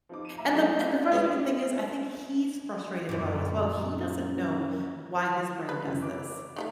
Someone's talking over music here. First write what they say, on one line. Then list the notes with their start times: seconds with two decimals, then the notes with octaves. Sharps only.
And the and the frustrating thing is I think he's frustrated about it as well, he doesn't know why his brain does this.
0.09 F3 D#4 D6
0.25 D#7 E7
0.38 A#2 E5 A#5
0.52 F#3 G#3 A3 E4 F4
1.12 G#3 B3 C#4 G4 C#5
3.09 F#2 A#2
5.69 B4
5.87 F#2 C3 E3
6.02 D6
6.56 D#3 F3 A3